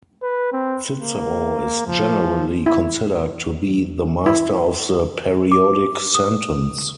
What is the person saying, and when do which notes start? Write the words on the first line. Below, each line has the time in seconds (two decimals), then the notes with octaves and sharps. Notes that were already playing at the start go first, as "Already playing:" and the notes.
Cicero is generally considered to be the master of the periodic sentence.
0.22 B4
0.52 C4
1.00 A#3
1.87 F3
2.66 E4
4.26 E4
5.52 D6
6.15 D#6